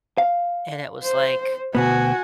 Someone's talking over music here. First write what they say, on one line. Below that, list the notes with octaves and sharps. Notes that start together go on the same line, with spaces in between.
And it was like,
F5
C5
D2 B2 B3 F#4 G#5